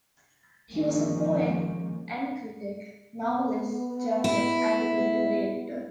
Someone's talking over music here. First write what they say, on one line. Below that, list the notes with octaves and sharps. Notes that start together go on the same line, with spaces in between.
He was a poet and critic, novelist, journalist and literary editor.
D3 D#3 F3 G#3 A#3 C#4
B3
E4